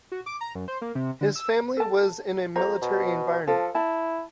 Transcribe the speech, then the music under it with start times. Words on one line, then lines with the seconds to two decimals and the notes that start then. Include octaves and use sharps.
His family was in a military environment.
0.12 F#4
0.26 D6
0.41 A#5
0.55 F#2
0.68 C5
0.82 A#3
0.95 C3
1.21 D3
1.35 E6
1.77 A4 A5
2.56 F2 C5 A#5
2.82 B2
3.47 F3 A4
3.75 E4 A5